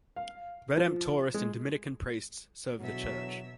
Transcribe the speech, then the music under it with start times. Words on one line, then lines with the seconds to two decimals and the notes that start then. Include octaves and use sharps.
Redemptorist and Dominican priests serve the church.
0.16 F5
0.77 F3
1.34 G#3
2.78 E2 B2 D3 F#3 E5